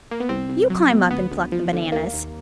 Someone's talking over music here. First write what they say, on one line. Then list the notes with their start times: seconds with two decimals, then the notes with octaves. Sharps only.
You climb up and pluck the bananas.
0.11 A#3
0.20 B3
0.29 C2 C4
0.49 C2
0.70 F#3
0.90 B2
1.10 D2 B3
1.31 D2
1.52 F3
1.73 D3
1.92 D#2 A#3
2.14 D#2